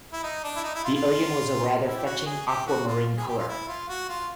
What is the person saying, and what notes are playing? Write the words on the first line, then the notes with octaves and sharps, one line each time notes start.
The alien was a rather fetching aquamarine colour.
E4
D#4
D4
E4
D#4
E4
F4
F4
E4
G4
F#4
G#4
G4
F#4
F4
G#4
G4
F4
E4
F4
F#4
F4